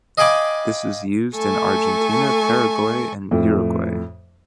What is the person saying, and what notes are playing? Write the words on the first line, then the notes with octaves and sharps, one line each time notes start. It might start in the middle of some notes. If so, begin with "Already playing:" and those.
This is used in Argentina, Paraguay and Uruguay.
D#5 F5 G5 G#5 B5 D6
A3 A4 G#5 C#6
F2 A2